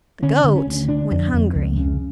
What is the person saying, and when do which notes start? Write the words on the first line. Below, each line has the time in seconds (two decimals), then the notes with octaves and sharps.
The goat went hungry.
0.23 D3 C#4
0.44 D3
0.55 C#4
0.67 D2
0.88 D3 D4
1.11 F2
1.33 F2
1.55 C#2
1.77 C#3